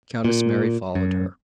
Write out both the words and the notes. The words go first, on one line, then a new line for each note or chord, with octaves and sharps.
Countess Mary followed her.
A#2
F#2